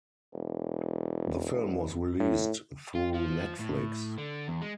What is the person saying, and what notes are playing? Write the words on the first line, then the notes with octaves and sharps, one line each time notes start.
The film was released through Netflix.
E1
A2
F4
F3
A2
D3
E2
G#3